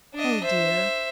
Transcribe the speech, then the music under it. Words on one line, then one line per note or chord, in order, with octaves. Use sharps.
"Oh, dear!"
D4 D#5
C5 E5